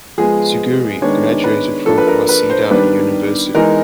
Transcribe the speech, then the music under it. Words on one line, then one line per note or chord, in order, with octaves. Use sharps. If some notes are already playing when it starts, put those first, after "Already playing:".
Suguri graduated from Waseda University.
F3 G#3 B3 G#4
D#3 G#3 B3 D4 C#5
B4
F3 A#3 D4 A4
B4
A#4
B4
C5
D#3 G3 B3 D4 B4
E3 G#3 B3 D#4 A#4